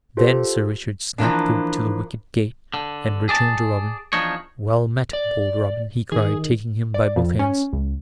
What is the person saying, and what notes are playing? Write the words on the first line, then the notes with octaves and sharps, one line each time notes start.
Then Sir Richard snapped to the wicket gate, and returned to Robin. "Well met, bold Robin," he cried, taking him by both hands.
F4 G4 A4 C5
E3 F3 A#3 D4
D3
G#4 D5 A5
E2 F3 D4 D#4 C#5
D5
D#3 G#4
D5
F2
C#4
C#2